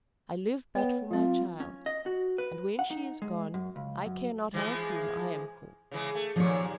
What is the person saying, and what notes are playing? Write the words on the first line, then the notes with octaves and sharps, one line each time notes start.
I live but for my child, and when she is gone, I care not how soon I am called.
B3 C#5 G5
F#3 C4 F4
C#4
D#5
F#4
B4
F#5
D#4
G#3
F#2
C#2
F#2
E3 F3 G#3
C#3 E3 G#3
A3
D#2 A#2 F3 C#5